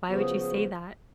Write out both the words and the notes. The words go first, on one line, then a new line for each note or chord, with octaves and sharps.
Why would you say that?"
C#3 F3 B3 F#4
G#4
F#4
G#4
F#4